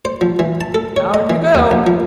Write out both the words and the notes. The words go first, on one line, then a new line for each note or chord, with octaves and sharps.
'Down you go!
C5
F3
E3
A5
A4
C#5
D#5
E3
D#2
A#1
F3